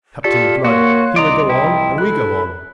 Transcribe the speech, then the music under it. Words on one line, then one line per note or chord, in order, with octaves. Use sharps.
Captain Blood, he will go on, and we go on.
F4 G4 A4 D5 B6
A#3 F#4 C#5 F5 C6 F#6
C2 D5 D#5 A#5 C6 D#6
E4 G5 A#5
A4 B5 F#6